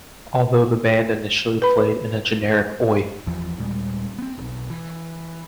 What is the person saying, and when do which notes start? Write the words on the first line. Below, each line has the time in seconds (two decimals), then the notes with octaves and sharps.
Although the band initially played in a generic Oi!
1.62 B4 B5
3.26 G1 E2 E3 F3
3.58 D#2 A#2 G3 G#3
4.18 B3 C4
4.38 D1 B1
4.70 E3